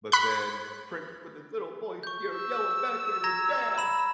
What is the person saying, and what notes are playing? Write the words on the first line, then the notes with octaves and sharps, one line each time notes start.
but then Prince with his little voice, you know, yelling back at his dad.
B5 F#6
C#6 G6
E6
A#5 G#6 A#6
B5 E7